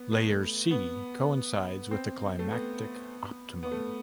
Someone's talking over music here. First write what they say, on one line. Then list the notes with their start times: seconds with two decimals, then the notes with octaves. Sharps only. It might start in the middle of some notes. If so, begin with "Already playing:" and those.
Layer C coincides with the climatic optimum.
Already playing: B3
0.11 A3
0.71 B3
1.91 C4
2.39 A3
2.51 B3
3.63 B3
3.71 A3